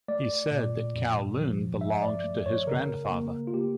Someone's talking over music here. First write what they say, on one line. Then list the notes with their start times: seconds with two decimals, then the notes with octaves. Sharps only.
He said that Kowloon belonged to his grandfather.
0.08 A3 D5
0.51 A#2
0.94 F2
1.37 F3
1.81 G2 E5
2.02 D5
2.24 A3
2.46 C#5
2.67 C#3 A#4
3.10 A#3
3.47 F4
3.54 A#3 G4